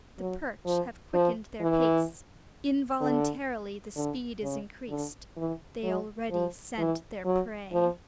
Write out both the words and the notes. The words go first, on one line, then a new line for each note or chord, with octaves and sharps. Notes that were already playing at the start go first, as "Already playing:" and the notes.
The perch have quickened their pace; involuntarily the speed is increased; they already scent their prey.
F#3
F3
F3
E3
D3
D3
C#3
D3
E3
F#3
F3
E3
F#3
F3